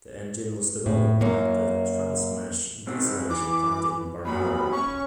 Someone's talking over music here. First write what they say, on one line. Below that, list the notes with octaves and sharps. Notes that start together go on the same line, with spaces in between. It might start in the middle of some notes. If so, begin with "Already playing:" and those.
The engine was developed at the Transmash Diesel Engine Plant in Barnaul.
A2
F#2 A#3
G#2 C4
E3 D6
F#2 A#2 F#3 B5
C#4 C#6